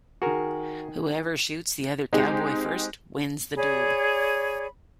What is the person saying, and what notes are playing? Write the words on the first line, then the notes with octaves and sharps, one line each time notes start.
Whoever shoots the other cowboy first wins the duel.
D#3 F#4 G#4 A#4
G#3 C4 D#4 G4 G#4
G#4 C#5 D5 B5